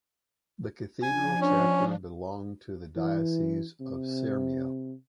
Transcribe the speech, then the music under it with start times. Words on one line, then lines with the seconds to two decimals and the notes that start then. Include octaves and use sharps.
The cathedral chapter belonged to the Diocese of Syrmia.
1.03 F3 D4 G#5
1.41 C#4
2.96 E3
3.80 C3